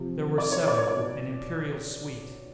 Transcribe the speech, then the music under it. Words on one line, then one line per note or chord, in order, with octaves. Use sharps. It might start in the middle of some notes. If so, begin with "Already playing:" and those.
There were seven--an imperial suite.
Already playing: C3 F3
D5
C#5
D5
C#5
D5
B2